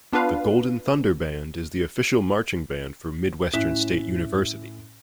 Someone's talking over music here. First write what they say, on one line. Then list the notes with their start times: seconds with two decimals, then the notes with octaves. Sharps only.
The Golden Thunder Band is the official marching band for Midwestern State University.
0.13 B3 D4 F4 B4 F5
3.53 A2 C#4 E5 F#6 B6 E7